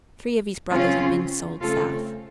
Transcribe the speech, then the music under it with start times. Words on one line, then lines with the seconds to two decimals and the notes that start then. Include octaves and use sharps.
Three of his brothers had been sold South.
0.71 C#3 F#3 C4 C#4 F4
1.59 C#3 A3 C4 F4 A4